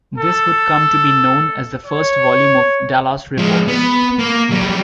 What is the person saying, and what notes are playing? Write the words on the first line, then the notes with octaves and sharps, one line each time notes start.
This would come to be known as the first volume of "Dallas Reports".
A4
C#5
F3 G#3
B3
A#3
F#3 G3